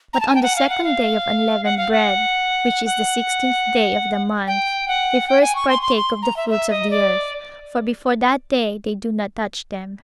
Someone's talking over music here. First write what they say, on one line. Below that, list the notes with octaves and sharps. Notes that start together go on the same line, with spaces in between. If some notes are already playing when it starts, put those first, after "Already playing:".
But on the second day of unleavened bread, which is the sixteenth day of the month, they first partake of the fruits of the earth, for before that day they do not touch them.
A#5
A5
G#5
G5
F#5
F5
F#5
F5
F#5
F5
F#5
F#5
G5
F#5
G5
G#5
C#6
C6
C6
C6
A#5
E5
E5
D#5
D5